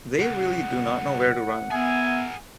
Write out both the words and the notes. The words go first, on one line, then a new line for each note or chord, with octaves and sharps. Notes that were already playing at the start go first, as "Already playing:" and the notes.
They really do not know where to run.
C2 C#3 F#5
B3 G#4 A#4 E5 G#5